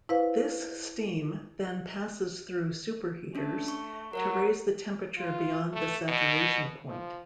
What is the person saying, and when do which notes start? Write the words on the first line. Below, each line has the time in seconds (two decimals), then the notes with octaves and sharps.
This steam then passes through superheaters to raise the temperature beyond the saturation point.
0.09 E4 B4 C5 F5
3.35 A3 C#4 D4
3.68 C#6
4.13 F#3 A#4 C#5 F#5
5.18 F4
5.73 A3
6.08 B2
6.89 F3